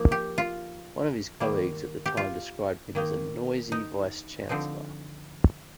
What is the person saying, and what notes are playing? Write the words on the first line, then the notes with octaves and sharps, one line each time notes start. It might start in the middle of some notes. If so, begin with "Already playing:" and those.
One of his colleagues at the time described him as "a noisy" vice chancellor.
Already playing: F3 A#3 D#4
G4
F4
D#3 G3 A#3
G4
F4
D#3 A#3 D#4
D#4
D3 F3 C4 D#4